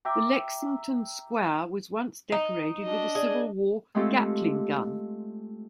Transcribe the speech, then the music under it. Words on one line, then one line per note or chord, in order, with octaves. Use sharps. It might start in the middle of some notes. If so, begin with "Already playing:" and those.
The Lexington Square was once decorated with a Civil War Gatling gun.
E5 G5 A#5 D6
D#4 D#5
D4 F#4 D#5
G#4 D5
G#3 A3 C4 F4 G4 A4